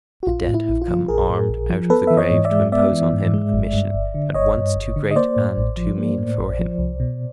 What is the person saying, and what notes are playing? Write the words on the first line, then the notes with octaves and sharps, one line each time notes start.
The dead have come armed out of the grave to impose on him a mission at once too great and too mean for him.
F#4
A#1 F4
A2
E4
A#1
F4
F3
A#1 G#4 A#4
A2
A#1
F3
B3 A4 B4
E3 E5
C#5 D#5
G#2
D5 E5
G#3
B3 D5 E5
E3
G#2
G#3
G1
G2
G1
D3
G1 C#5 D#5
G2
G1
D3
D#5
A#3 C5 D5
A2
A1
F3
A#3
A2
A1
F3
C2
B2